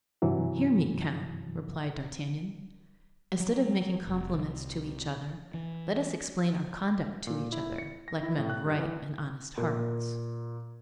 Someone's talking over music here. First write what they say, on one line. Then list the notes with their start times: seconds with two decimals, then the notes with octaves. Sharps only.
"Hear me, count," replied D'Artagnan; "instead of making compliments to each other, let us explain our conduct to each other, like men of right and honest hearts."
0.22 G2 C3 E3 F#3
3.40 F#3
4.07 F1
4.34 C2
5.54 E3
7.27 A#2
7.52 E4
7.78 C#7
8.08 A#6
8.23 E4
8.38 A2
8.50 F#6
8.66 G2
8.79 E3
9.57 A#2